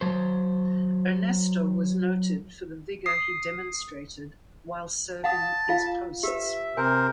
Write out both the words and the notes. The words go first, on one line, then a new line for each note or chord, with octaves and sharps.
Ernesto was noted for the vigour he demonstrated while serving these posts.
F#3 C5
D#6 C7
F5 F#5 A5 D#6
F4 F5
G4 B4 E5
C3 A#4 C5 G#5